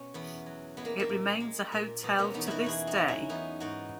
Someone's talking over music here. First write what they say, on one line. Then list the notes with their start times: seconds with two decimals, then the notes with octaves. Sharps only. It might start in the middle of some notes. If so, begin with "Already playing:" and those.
It remains a hotel to this day.
Already playing: B2 C#4
0.14 E2 B3
0.46 F#3
0.77 G#3 B3
0.85 A#3
1.00 A#3
1.09 A#2
1.40 G#3
1.72 A#2
2.03 B2 B3
2.18 A#3 C#4
2.34 E2 B3 D#4
2.46 D#4 E4 F#4
2.64 E2 E4 G#4
2.87 D#4 F#4
2.98 F#3
3.08 C#4 E4
3.29 E3 B3 D#4
3.60 G#2 D#4 F#4